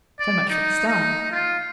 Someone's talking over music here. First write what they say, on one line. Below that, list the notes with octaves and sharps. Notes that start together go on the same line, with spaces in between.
So much for the "Star".
D5
D#4
D#4
F4